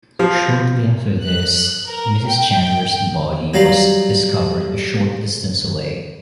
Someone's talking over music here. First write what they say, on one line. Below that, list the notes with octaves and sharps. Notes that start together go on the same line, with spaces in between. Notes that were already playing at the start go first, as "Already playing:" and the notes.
Shortly after this Mrs. Chandler's body was discovered a short distance away.
F3
F#6
A#4
G5
F#3 G3 F5 A#5 C6